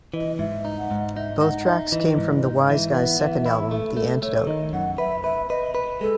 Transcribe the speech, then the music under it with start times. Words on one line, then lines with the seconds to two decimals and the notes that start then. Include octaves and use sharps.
Both tracks came from The Wiseguys second album, "The Antidote".
0.14 E3 D#5
0.39 G#2 E5
0.65 D#4
0.78 F#5
0.91 G#2
1.16 D#4 E5
1.41 D#4 F#5
1.66 D#4 E5
1.92 E3 D#5
2.18 G#2
2.43 D#4
2.69 E3 E5
2.94 B3
3.20 E3
3.46 E4
3.71 A3
3.97 A3
4.22 A3 C#5
4.47 D#3 D#5
4.73 F#2 F#5
4.98 B4 E5
5.24 B4 E5
5.50 B4 D#5
5.75 B4
6.01 G#3 A4